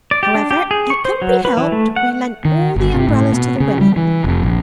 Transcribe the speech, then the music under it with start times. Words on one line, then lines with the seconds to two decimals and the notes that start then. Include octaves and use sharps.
However, it couldn't be helped; we lent all the umbrellas to the women.
0.11 D5
0.23 G4
0.35 D4
0.51 G4
0.71 G#4
0.90 C#6
1.05 C5
1.22 F#3
1.45 B4
1.57 E3
1.72 A3
1.96 F#5
2.45 D#3
2.76 G1
2.94 C3
3.09 A2
3.32 B2
3.60 C#3
3.81 G3
3.96 E3
4.24 F1
4.43 A#1